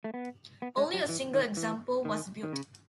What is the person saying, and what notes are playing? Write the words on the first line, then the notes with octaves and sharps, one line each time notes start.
Only a single example was built.
A3
B3
B3
G#3
F#3
E3
D#3
E3
D#3
D#3
C#3